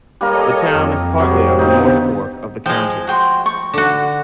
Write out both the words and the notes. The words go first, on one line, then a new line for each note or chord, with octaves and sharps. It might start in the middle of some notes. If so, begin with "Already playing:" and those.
The town is partly on the North Fork of the county.
G3 A#3 A4 A#4 C#5 D#5
F2
C3 F#3 G3
D3 B3 C4 D#4
F3 G#3 G5
F#4 G5 C6
C#6
D3 F#4